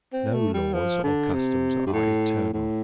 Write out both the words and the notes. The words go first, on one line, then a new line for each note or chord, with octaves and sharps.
No laws or customs are eternal.
C4
A3
G3
F3
D3
C3
G2
A2
A2